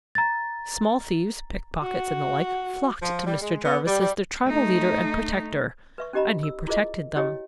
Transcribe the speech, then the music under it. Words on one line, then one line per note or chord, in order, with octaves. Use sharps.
Small thieves, pickpockets and the like, flocked to Mr. Jarvis as their tribal leader and protector and he protected them.
A#5 A6
F#4
F3
G3
G#3
B3
G3
G3
A3 D#4
B4 E5 C#6
C#4 D#4 G4 D#5 A#5 B5
E6
E4 F4 G#4 A#4 C5 D#5
E4 G4 C#5 D#5 G5